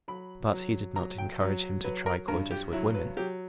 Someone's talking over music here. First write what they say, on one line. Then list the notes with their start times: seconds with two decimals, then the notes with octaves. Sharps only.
But he did not encourage him to try coitus with women.
0.08 F#3 B5
0.52 F#3
0.96 F#3 A#5
1.18 G5
1.40 F#3
1.84 F#3 B4
2.06 A#4
2.28 G2 A#4
2.51 G4
2.72 F#3 E4
2.94 B4
3.17 F#3 G4